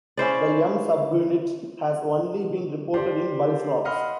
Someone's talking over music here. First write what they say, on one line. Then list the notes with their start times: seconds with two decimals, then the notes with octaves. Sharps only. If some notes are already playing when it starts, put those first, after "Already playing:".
The M subunit has only been reported in bullfrogs.
0.17 C#4 E4 C5 D5
2.94 G4 C5 D5 C6
3.85 D#5 F5 F#5 B5 C6 F6